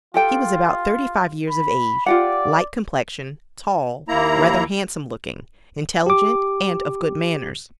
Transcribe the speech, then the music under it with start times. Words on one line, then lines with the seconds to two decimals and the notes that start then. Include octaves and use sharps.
He was about thirty-five years of age, light complexion--tall--rather handsome-looking, intelligent, and of good manners.
0.14 F4 G4 A4 G5
1.50 B5
2.06 F4 G4 D5 F#5
4.08 D#2 A#3 E4 A#5
6.06 G4 D6